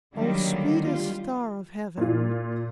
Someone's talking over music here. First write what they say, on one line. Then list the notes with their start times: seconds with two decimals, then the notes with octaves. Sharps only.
O sweetest Star of Heaven!
0.15 D3 D#3 F#3 G3 A#3
0.80 G3 F4
1.98 A#2 F4